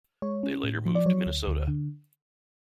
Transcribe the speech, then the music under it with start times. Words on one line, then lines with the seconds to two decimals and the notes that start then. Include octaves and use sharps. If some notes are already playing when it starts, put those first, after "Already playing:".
They later moved to Minnesota.
0.22 G#3 C#5
0.43 C#4
0.64 A2
0.86 F3
0.95 D5
1.06 F#3 C#5
1.26 D2
1.47 D2
1.68 D3